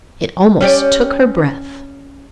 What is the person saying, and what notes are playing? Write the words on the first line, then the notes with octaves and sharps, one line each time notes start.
It almost took her breath.
C#4 G4 D5